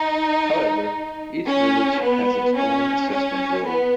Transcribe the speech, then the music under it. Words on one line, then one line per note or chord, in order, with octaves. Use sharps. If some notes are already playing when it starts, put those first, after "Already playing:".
However, each village has its own assessment roll.
Already playing: D#4
C#4
B3
C#4
C#4
B3